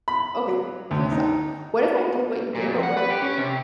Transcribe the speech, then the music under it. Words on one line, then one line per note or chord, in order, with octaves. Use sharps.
okay, here's up, what if I did what you did, but what I
B5
F#3
D2
D#4
A#2
F2
F#5
B4
G4
C#4
C3